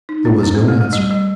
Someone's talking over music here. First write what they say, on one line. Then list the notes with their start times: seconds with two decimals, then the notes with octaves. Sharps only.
There was no answer.
0.09 D#4
0.25 D4
0.43 D4
0.55 C4
0.68 A3
0.80 A3
0.93 G3
1.11 G3